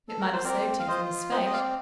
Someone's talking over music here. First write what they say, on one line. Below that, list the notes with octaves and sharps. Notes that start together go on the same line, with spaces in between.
"It might have saved him from his fate."
A4
A#4
C5
C4 A#4 D5
F5
F4 C5 D#5
C4 C5 D#5
D#5
D5 F5